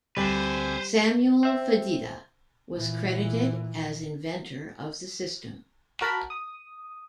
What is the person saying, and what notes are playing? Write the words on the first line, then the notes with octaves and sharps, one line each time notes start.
Samuel Fedida was credited as inventor of the system.
D2 G3 C4 B4 C5 G#5
C4 E5
A#2 E3
F#4 A#4 A5 B5
D#6